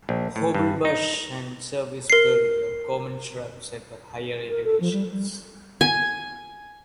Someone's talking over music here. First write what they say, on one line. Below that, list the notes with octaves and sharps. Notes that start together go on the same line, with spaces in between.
Hobblebush and serviceberry are common shrubs at the higher elevations.
A#1
A2
G2
D#4
A#4 C7
A#4
A4
F3
G3
G3
G#5